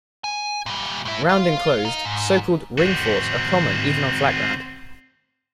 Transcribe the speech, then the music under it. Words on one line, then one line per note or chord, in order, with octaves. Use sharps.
Round and closed, so called, "ring forts" are common even on flat ground.
G#5
A#2 G3
A2 E4
F4
D#4
G#2
C4 F#4